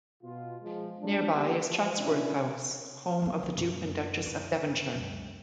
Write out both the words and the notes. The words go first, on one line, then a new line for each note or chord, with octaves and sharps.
Nearby is Chatsworth House, home of the Duke and Duchess of Devonshire.
B2 F4
F3 G#3
G#3 D4
A#3 B3 G4
F3
B2 C#4 D4 E4
E3 F#3
D2
F#2
E4
C#2 F#2